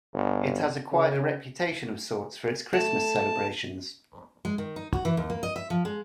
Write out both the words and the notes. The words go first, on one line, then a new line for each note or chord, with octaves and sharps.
It has acquired a reputation of sorts for its Christmas celebrations.
G1
C#3
A3 A5
G#3
D#3
D#4
F#4
E3
D#2
A#3
D#5
E5
F3
G#3